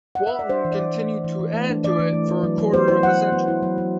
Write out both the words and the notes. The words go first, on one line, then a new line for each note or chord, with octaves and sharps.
Walton continued to add to it for a quarter of a century.
F#5
E5
D5
D4 C5
E3
D5
E3
A3
D4
E3
E3
A3
D4
E3 D5
E3
A3
E4
F#3
F#3
B3 C5
E4 C5
F#3 F#5
F#3
B3
E4
F#3
F#3